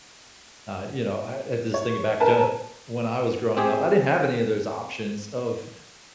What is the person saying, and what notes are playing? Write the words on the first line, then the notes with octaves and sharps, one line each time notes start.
uh, you know, I this thing back to when I was growing up, I didn't have any of those options of,
C#5
A#4 B4 G#5 A5
C4 G4 G#4